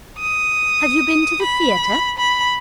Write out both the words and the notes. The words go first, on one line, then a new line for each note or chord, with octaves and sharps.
"Have you been to the theatre?"
D#6
B5
B5